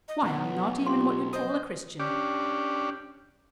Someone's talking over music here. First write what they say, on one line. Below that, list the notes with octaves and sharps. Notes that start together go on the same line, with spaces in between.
Why, I'm not even what you'd call a Christian.
D#5
B1 B3
F4 G4 C6
C5 D#5 D#6
C#4 D4 G4 D5